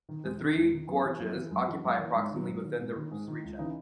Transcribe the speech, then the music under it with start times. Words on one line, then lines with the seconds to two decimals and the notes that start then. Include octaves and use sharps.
The Three Gorges occupy approximately within this region.
0.09 D#3
0.24 E2 G#3
0.39 D#3
0.56 E2 G#3
0.72 D#3
0.87 F#2 B3
1.03 E3
1.19 F#2 A#3
1.35 E3
1.51 F#2 G#3
1.68 E3 F#3
1.84 F#2 G#3
1.99 E3 A#3
2.15 G#2 G#3
2.31 D#3
2.36 F#3
2.48 G#2
2.63 D#3
2.79 G#2
2.96 D#3
3.11 G#2 G#3
3.28 D#3
3.44 C#2
3.59 C#3 E3 D#4